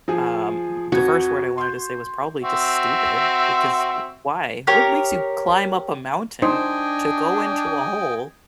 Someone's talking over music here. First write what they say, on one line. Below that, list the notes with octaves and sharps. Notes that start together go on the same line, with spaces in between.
Um, the first word I wanted to say was probably just "Stupid" because w why? What makes you climb up a mountain to go into a hole
F3 G#4
F2 F#4 G#6
C6 G6
C4 F#4 E5
G4 A#4 C#5
D4 D#4 C5 D#5 G5 G#5